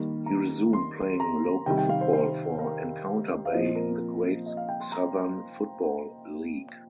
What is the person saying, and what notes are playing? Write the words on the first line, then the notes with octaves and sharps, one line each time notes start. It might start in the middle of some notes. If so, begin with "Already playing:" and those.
He resumed playing local football for Encounter Bay in the Great Southern Football League.
Already playing: D#3 G3 A#3
A#5
C6
A#5
C3 D#3 G3 G5
G5
F5
C5
C5
A#4
F5
A#2 F3 C4 D#5
A#4
D#5
F5
G5
C6
A#5